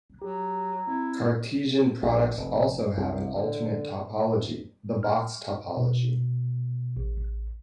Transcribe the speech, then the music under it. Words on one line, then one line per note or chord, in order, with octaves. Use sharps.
Cartesian products also have an alternate topology, the box topology.
F#3 G4 A#5
C4 E4
A#1
F1
C2
D3
F6
B2
A1